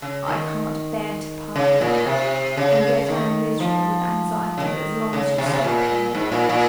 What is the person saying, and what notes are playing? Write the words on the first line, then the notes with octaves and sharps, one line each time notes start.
'I can't bear to part with you, and yet I am miserable with anxiety as long as you stop here.'
C#3
D#3
C#3
A#2
C3
C#3
D#3
F3
C#3
D#3
C#3
C3
C#3
C3
A#2
G#2
A#2
A#2